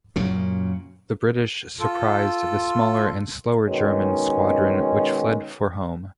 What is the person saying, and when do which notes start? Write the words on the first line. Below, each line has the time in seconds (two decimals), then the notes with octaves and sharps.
The British surprised the smaller and slower German squadron, which fled for home.
0.16 F#2 A#2 C#3
1.80 F4 A4
3.67 B2 D#3 G#3 C#4